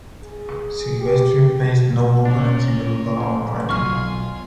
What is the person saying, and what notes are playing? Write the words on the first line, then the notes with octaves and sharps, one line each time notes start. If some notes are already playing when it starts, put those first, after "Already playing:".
Silvestri faced no opponents in the Republican primary.
G#4
G4
C#4 D4 A#4
F2 G#2
B1 B2 F4 G#5 C#6 F6